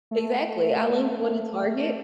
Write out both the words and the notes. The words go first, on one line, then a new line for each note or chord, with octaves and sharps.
Exactly. I love going to Target.
A3